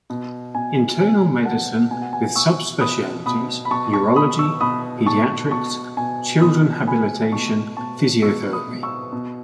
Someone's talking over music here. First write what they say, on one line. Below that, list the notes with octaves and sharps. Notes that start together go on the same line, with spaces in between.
Internal medicine with sub-specialties, Neurology, Pediatrics, Children Habilitation, Physiotherapy.
B2
B2 G#5
B2 G#5
B2 F#5 A5
B2 G#5
F#5
G#5
B2 C#6 E6
B2 B5 D#6
B2 B5 D#6
B5
B2 A5 C#6
A5 C#6
B2 B5 D#6
C#6 E6
B2 B5 D#6
B2 A5 C#6
B2 A5 C#6
B2 G#5
B2 B5 D#6
B2 G#5 B5
B2 A5 C#6
B2 A5 C#6
B2 C#6 E6
B5 D#6
B2
C#6 E6
B2